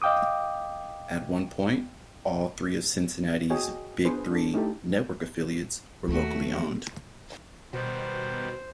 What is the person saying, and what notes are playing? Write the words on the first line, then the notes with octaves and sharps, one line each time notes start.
At one point, all three of Cincinnati's "Big Three" network affiliates were locally owned.
D#5 F5 G5 D6 D#6
F#4 G#4 C#5 D#5 G5 G#5
B3 D4 G#4 B4 C5
D4 A4
A3 D#4 E4 G4 A4
D#2 A3 F#4
B2 D#3 G3 B3 C5